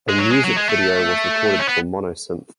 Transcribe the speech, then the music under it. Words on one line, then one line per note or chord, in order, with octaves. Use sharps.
A music video was recorded for Monosynth.
G#3
F#3
G#3
F#3
G#3
A3
C#4
B3